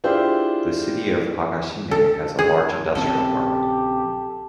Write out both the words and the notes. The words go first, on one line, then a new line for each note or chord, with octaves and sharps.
The city of Higashine has a large industrial park.
D4 E4 F4 G4 G#4 C5
A4
G#4
A#1 C#3 C4 G4 A4